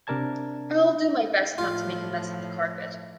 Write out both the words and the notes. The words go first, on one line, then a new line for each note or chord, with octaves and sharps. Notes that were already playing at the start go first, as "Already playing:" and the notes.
I'll do my best not to make a mess on the carpet.
C3 D4 A#4 D5 A5 G#6
A2 F3 F4